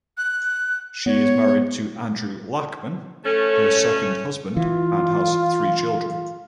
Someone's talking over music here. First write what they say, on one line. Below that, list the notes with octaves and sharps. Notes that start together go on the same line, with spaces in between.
She is married to Andrew Lachman, her second husband, and has three children.
F#6
B3 C#5
A3 C#4 A4
E3 F4